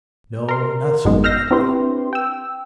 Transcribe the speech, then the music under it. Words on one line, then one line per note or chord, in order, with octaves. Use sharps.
'No, not so badly.
A#4 C6
G#1 F#2 B2 D#3 G#3
E6 F6 G6 A#6 C7
C4 D4 E4 G4 B4 C6
G5 E6